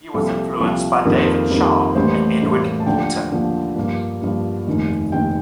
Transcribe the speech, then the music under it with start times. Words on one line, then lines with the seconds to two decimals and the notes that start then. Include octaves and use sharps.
He was influenced by David Sharp and Edward Poulton.
0.14 C2 A#2 F3 A4
0.60 C2 A#2 F3
1.05 F2 D#3 G3 A#3 A#4
1.14 C5
1.22 A#4
1.50 F2 D#3 G3 A#3
1.95 A1 A2 G3 A#3 C5
2.41 A1 A2 G3 A#3
2.80 A5
2.86 D#2 D3 F3 A#3 G5
3.31 D#2 D3 F3 A#3
3.76 G2 F3 A#3
4.21 G2 F3 A#3
4.67 F1 D#2 D#3
5.12 F1 D#2 D#3 G5